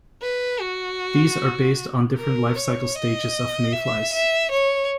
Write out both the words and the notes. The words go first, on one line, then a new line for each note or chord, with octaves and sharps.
These are based on different life-cycle stages of mayflies.
B4
F#4
A#4
C#5
D#5
E5
E5
C#5